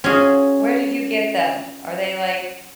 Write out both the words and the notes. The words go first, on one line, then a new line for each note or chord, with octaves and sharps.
Where did you get them? Are they, like,
C#4 F4 F#4 G#4